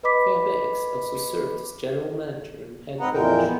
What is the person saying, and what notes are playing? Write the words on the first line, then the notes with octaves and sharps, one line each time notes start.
Fairbanks also served as general manager and head coach.
B4 D#5 B5 D6 B6
G#2 C4 B4 D#5 F#5 A#5
F2 A#2 E3 G#3 A#4 G5
B3